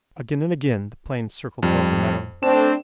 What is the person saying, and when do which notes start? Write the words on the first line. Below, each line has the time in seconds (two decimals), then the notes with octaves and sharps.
Again and again the plane circled above the meadow.
1.63 F2 G3
2.43 A3 C4 D4 E7